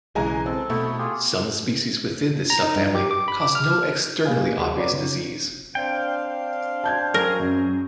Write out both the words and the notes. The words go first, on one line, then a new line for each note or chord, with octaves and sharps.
Some species within this subfamily cause no externally obvious disease.
B1 C#3 E3 G#3 G#5 A#5
C4 A4
B2 A3 E4
F4 G4 G#4
A#5
D#4
G2
G4
D6
B5
D6
F6
A#3 G4 G#4 B4 F5 G#5
D#2 F#4 G#4 F#5
F#4 B4 C#5 D5 A#5 D6
C#3 C#4 D#4
C4 D4 F5 G5
A5 G6 G#6
F#3 G#4 A#4
F#2